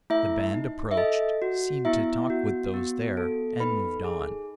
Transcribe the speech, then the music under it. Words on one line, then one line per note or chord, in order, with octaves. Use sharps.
The band approached, seemed to talk with those there, and moved on.
A3 E4 E5
D#4
E5
A4 D#5
F#4
B3 E4 E5
F#4
B3
A4
D#4 B4 B5
G#4